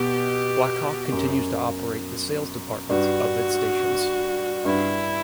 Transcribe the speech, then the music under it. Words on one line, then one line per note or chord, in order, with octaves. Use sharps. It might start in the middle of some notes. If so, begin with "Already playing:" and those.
Blackhawk continues to operate the sales departments of its stations.
Already playing: B2 G4
F#2
G2 F#4
G2 E4